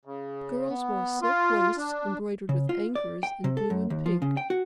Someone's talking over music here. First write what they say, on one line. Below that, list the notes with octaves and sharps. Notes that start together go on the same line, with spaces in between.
Girls wore silk waists embroidered with anchors in blue and pink.
C#3
B3
F4
D4
C#3
F4
D5
G5
C3
A4
F#2
D#2
F3
C#3
G5
F#4